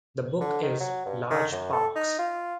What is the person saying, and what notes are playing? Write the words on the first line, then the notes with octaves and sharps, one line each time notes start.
The book is "Large Parks".
D3
D#3
F#3
G2
D#3
F#2
A4
D#4
F4